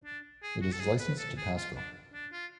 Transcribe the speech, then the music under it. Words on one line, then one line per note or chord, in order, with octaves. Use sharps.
It is licensed to Pasco.
D4
G#4
F#4
A4
G#4
B4
A4
G#4
F4
D4
D4
F4